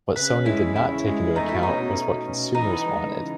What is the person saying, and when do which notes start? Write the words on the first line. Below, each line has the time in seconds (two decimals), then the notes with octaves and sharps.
What Sony did not take into account was what consumers wanted.
0.15 C#3 B4
0.30 C#4
0.45 G#3 E4
0.61 E2
0.75 C#3 E4
0.90 C#4
1.05 G#3
1.20 E2
1.36 A3 D#4
1.49 B2 E4
1.63 C#4 D#4
1.81 B2
1.96 A3
2.10 B2
2.26 C#4
2.40 B2
2.55 E3 D#4
2.71 B3
2.85 G#3
3.00 C#3
3.15 E3